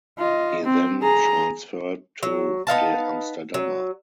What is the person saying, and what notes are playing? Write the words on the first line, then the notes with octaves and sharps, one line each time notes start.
He then transferred to De Amsterdammer.
F4 D#5
C4
G#4 A#5
F#3
B3 D#4 F5 A5
F#3